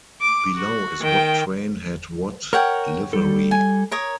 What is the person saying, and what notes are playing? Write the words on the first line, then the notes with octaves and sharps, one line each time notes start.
Below is what train had what livery.
D6
F#4
D#3 G5
A#4 C#5 F#5 G5
G3 A4
G#5
A#4 C#5 D#6